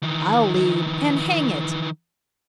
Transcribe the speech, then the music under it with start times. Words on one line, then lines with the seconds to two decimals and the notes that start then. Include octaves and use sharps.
I'll lead, and, hang it!
0.03 D#3 E3